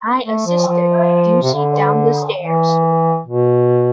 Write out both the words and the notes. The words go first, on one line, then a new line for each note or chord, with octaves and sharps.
I assisted Gussie down the stairs.
A3
F3
F3
C3
D3
E3
B2